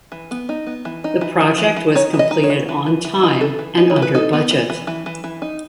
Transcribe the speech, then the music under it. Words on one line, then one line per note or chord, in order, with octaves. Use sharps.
The project was completed on time and under budget.
E3
B3
D#4
B3
E3
D#4
E3
E3
E3
E3
D#4 C#5
E3
D#5
D#4
C#5
E3
E3
E3
E3
D#4
E3 A4
E3
D#4
C#5
E3
B4
D#4 A4
B3
E3
E3
E3
E3
E3
D#4